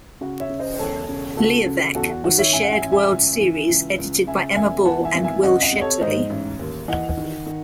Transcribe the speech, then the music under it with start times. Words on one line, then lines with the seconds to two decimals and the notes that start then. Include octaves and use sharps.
Liavek was a shared-world series edited by Emma Bull and Will Shetterly.
0.21 C#3 F#4
0.40 C#5 E5
0.49 C#3
0.59 C5 D#5
0.74 C5
0.79 E1 A4 C#5
1.09 C#3
1.37 C#2 F#4 A4
1.66 C#3
1.95 E2 F#4 A4
2.10 F#4
2.24 D#3 F#4
2.38 C#5 E5
2.52 A1 E5 G#5
2.63 F#5
2.72 E5 G#5
2.82 A1
2.92 E5 G#5
3.11 C#2
3.40 E3
3.69 C#2
3.98 C#2
4.27 C#3 E5 G#5
4.56 E1 E5 G#5
4.85 E3 F#5 A5
5.05 E5 G#5
5.15 G#1
5.24 E5 G#5
5.43 C#2 D#5 F#5
5.62 D#5 F#5
5.72 C3
5.77 D#5
5.81 A4 C#5
6.01 G#2 C5 D#5
6.30 A1
6.59 D#2
6.88 E3 D#5 F#5
7.17 D#3
7.46 D#3